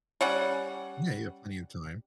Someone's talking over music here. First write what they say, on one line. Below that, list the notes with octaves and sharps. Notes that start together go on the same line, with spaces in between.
Yeah you have plenty of time.
G3 C#4 F#5